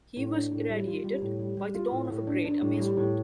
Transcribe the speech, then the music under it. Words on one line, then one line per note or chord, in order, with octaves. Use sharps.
He was irradiated by the dawn of a great amazement.
A2
D4
A2
G3
F4
G3
A2
G3
G3
F4
A2
A2
D4
D4
A2
G3
A2